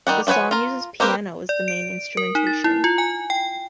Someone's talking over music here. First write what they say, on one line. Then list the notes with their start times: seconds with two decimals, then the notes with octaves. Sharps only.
The song uses piano as the main instrumentation.
0.07 D#3 G3 F#5
0.27 F3 F#4 B4 C#5 G#5
0.51 F4 A#4
1.00 A#3 C4 G4 A#4 B4
1.49 D5
1.68 D7
2.17 A#4
2.35 D#4
2.47 A6
2.64 E4
2.84 F4
2.98 G#5
3.30 G5